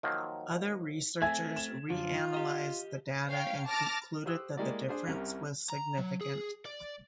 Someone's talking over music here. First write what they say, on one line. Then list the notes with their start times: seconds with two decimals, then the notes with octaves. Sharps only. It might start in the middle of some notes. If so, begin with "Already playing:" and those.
Other researchers reanalyzed the data and concluded that the difference was significant.
0.03 D#3 F3 F#3 A#3
1.22 A3 C4 E5 G#5 G#6
1.56 E7
1.90 F#2 D3 F4
2.34 G4 D#5
3.28 C#5 F5 G5
3.66 A5 D6 F6 A6 A#6
4.25 G4 C5 D#6 E6 F#6
4.57 G#3 A#3 E4 G4 D5
4.89 D4 G#4 C5
5.07 C2 C3 C#4 A#4 F6
5.69 A#5
5.98 F#3
6.21 G#4
6.65 D5